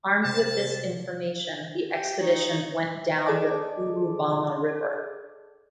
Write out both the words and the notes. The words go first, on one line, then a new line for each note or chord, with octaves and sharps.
Armed with this information the expedition went down the Urubamba River.
C3 A5
G4
D#4 C#5
G#4 A4 D5 D#5 A5 D6